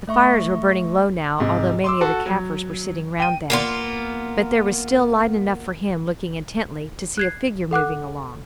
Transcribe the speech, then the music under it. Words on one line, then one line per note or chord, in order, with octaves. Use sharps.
The fires were burning low now, although many of the Kaffirs were sitting round them; but there was still light enough for him, looking intently, to see a figure moving along.
A3 E5 C#6
G#2 C3
C6 D6 E6
F#4 A4
F#3
G5 D#7
A#3 B3 F4
F#6 G#6 C7
A4 F#5 D6 F#6